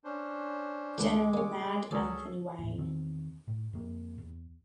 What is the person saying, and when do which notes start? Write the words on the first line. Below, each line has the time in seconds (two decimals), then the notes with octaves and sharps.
General "Mad" Anthony Wayne.
0.04 C#4 D4 C5
0.98 C#2 G#3 B3 D4 D6
1.34 A#3 C#4
1.91 C#2 C#4 G#4 A4 D5
2.59 D#2 A2
2.78 E2 D#3 C4
3.48 A2
3.73 F2 A#3
4.18 E2